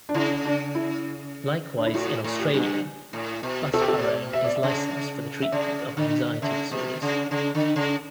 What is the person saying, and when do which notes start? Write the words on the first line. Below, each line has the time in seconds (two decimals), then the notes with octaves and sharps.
Likewise in Australia, buspirone is licensed for the treatment of anxiety disorders.
0.09 D4
0.14 C#3 E4
0.45 D4
0.75 E4
1.78 D4
1.87 E4
1.94 A2 F#4
2.24 A2
2.39 G4
2.54 G2
3.13 A2
3.43 B2
3.73 B2 A4
3.82 G4
3.88 A4
4.03 D5
4.33 E5
4.45 D5
4.56 E5
4.63 C#3
5.42 E5
5.52 C#3 D5
5.97 D3
6.42 C#3 E5
6.71 B2
7.02 C#3
7.31 C#3
7.55 D3
7.76 C#3